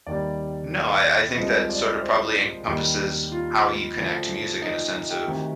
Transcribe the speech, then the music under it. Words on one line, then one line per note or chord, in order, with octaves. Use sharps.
no, I I think that sorta probably encompasses how you connect to music in a sense of
D#2 D#3 G3 D5
C2 C3 F3 G#3 D#5
D5
C5
D#2 D#3 G3
F4
D2 D3 F3
D#4
D#4
G4
D2 C3 D#3